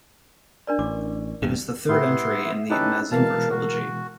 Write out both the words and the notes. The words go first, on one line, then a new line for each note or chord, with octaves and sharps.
It is the third entry in the Mazinger trilogy.
D4 A#4 D5
A1 D6
D#1 G2
A2 B3 E4 G4 B4 E5 C6
C#4 D#4 E4 G4 A4 B4
B2 E3 G#3 A#4 F5 A5
F#4